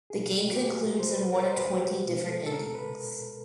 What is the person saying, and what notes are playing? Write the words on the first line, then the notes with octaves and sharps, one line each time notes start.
The game concludes in one of twenty different endings.
G#4
B2 F#3 A4
G4
F#4
G4
G#4
A#4
C5
B4
A#4
C5
B4
F#4
G4
B2 G#3
A4
A4
A#4
B4